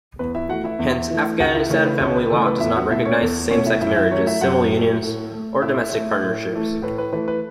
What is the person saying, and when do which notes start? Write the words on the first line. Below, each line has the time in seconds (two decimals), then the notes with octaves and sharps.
Hence, Afghanistan family law does not recognize same-sex marriages, civil unions or domestic partnerships.
0.19 E2 B4
0.35 E4 E5
0.49 E3 A3 F#4 F#5
0.64 E4 E5
0.79 E2
1.10 E3 A3
1.40 C#2 F#4 F#5
1.54 E4 E5
1.69 C#3 E3 A3 C#4 C#5
1.85 B4
2.00 C#2 C#4 C#5
2.16 B4
2.30 C#3 E3 A3 A4
2.46 B4
2.60 E2 E4 E5
2.76 F#4 F#5
2.90 B2 A3 E4 E5
3.05 C#4 C#5
3.21 E2 A4
3.51 B2 A3 C#4 C#5
3.66 E4 E5
3.81 F#2 E4 E5
3.96 E4 E5
4.11 F#3 A3 C#4 C#5
4.26 E4 E5
4.41 F#2 F#4 F#5
4.71 F#3
4.77 A3
5.03 A2
5.31 A3
5.62 A2 E4 E5
5.92 A3
6.23 A2
6.53 E3 A3
6.82 A2 B4
6.98 B4
7.12 E3 A3 B4
7.28 B4